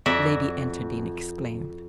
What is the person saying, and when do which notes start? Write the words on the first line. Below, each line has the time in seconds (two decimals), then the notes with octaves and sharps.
Lady Enterdean exclaimed.
0.06 F2 F#4 D5 E5